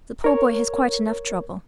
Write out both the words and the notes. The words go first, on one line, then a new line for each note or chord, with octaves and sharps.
"The poor boy has quite enough trouble."
A#4 C#5